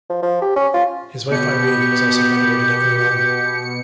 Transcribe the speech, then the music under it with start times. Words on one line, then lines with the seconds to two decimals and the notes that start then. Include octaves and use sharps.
His wife Irene is also venerated at Murom.
0.10 F3
0.22 F3
0.42 G4
0.56 C#4
0.74 F4
1.31 B2 B3 G4 C#7